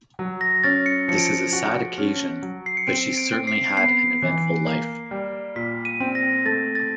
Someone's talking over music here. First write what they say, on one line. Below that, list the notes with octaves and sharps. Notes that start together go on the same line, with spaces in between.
This is a sad occasion, but she certainly had an eventful life.
F#3
A#6
C#4 A6
C#7
F3 C#7
D7
C#7
F#4
C#4
F#3
C7
C#7
C4 D7
D7
C4
C7
B3 C7
E3
A#3
G3
A#2 B6
D#7
C4
A#6
A3 A6
A6